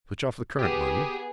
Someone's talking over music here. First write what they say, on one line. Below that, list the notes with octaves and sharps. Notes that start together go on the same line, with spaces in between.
Switch off the current, will you?
B3 G4 G#4 D#6